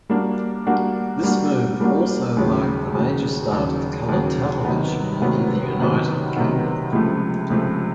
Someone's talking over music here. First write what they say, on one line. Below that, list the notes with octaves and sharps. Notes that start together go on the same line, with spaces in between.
This move also marked the major start of color television in the United Kingdom.
G3 A#3 D4 F#4
G3 A#3 D4 F#4
G3 A#3 D4 F#4
G3 A#3 D4 F#4
D#2 C#3 F#3
D#2 C#3 F#3
D#2 C#3 F#3
D#2 C#3 F#3
C3 D#3 F#3 B3
C3 D#3 F#3 B3
C3 D#3 F#3 B3
C3 D#3 F#3 B3
C#2 C3 F3 A3
C#2 C3 F3 A3